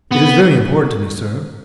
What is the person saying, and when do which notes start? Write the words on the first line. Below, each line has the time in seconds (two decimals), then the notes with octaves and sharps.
"It is very important to me, sir."
0.11 B3